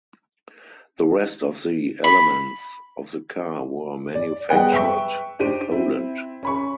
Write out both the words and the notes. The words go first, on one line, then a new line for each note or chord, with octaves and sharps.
The rest of the elements of the car were manufactured in Poland.
B5
D5
G3 G#3 B3 D#5 F#5 G5
B4 E5 G5 C#6
D4 D#4 G4 C5 D7 D#7
C4 E4
C#4 B5 C#6